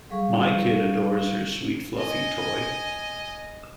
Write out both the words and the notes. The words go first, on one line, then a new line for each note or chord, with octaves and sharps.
My kid adores her sweet fluffy toy.
F#3 G3 G#4 A4 F5 C#6
D#5 G#5